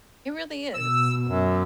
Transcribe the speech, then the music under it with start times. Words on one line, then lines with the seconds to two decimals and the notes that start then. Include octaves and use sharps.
It really is.
0.74 B2 E6
1.27 F#2